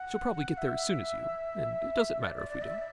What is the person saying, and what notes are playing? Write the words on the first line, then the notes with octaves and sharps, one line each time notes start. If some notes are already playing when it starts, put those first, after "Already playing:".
"We shall probably get there as soon as you, and it doesn't matter if we don't."
Already playing: F#5
E5
D5
D5
D5
E5